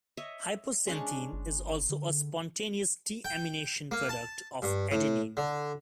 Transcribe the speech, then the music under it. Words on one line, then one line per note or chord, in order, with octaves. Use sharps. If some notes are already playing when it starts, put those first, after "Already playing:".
Hypoxanthine is also a spontaneous deamination product of adenine.
C#5 D#5 E5
G#3 C#4 D4
G1
D3
G5
A#3
A5
G2
A2
D3